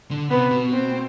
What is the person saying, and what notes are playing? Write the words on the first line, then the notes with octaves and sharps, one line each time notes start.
I mean
D3
C3 B3
B2
C4